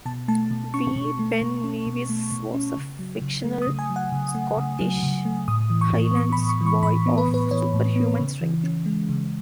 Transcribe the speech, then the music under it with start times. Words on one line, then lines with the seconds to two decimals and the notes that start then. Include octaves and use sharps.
Wee Ben Nevis was a fictional Scottish Highlands boy of superhuman strength.
0.06 B2 A5
0.28 A3 A5
0.51 B2
0.74 C#4 C#6
0.96 B2
1.19 A3
1.41 B2
1.64 C#4
1.87 B2
2.09 A3
2.32 B2
2.54 C#4
2.77 C#3
2.99 F#3
3.22 C#3
3.44 A3
3.62 D#6
3.67 C#3
3.79 G#5
3.90 F#3
3.96 F#5
4.12 C#3
4.35 A3
4.57 C#3
4.81 F#3
5.03 C#3
5.25 A3
5.48 A2 D#6
5.70 E3
5.81 C#6
5.93 A2
6.16 B3 C#6
6.32 B5
6.38 A2
6.49 C#6
6.61 E3
6.66 C#6
6.83 A2 B5
7.06 B3
7.18 B4
7.28 A2
7.34 B4
7.51 E3 C#5
7.74 A2
7.96 B3
8.19 C#3
8.41 E3
8.64 C#4
8.86 G#3
9.09 C#3